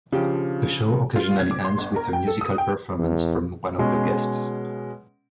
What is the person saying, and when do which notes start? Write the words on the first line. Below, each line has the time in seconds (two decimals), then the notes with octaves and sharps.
The show occasionally ends with a musical performance from one of the guests.
0.12 C#3 F3 D4 F4 G4
1.16 F4
1.39 G#6
1.51 D6
1.65 C6
1.78 G1
1.96 A#4
2.13 G5
2.27 A4
2.41 D#6
2.58 G5
2.99 E2
3.78 B2 G#3 C#4